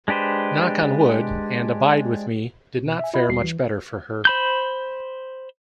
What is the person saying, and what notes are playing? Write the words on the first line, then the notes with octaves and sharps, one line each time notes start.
"Knock on Wood" and "Abide With Me" did not fare much better for her.
G#3 D4 G4 B4 C5
B2
E5 G#5
F4 D#5 E5 B5
D#2 G3 F#4 C7
E3
C5 B5 G6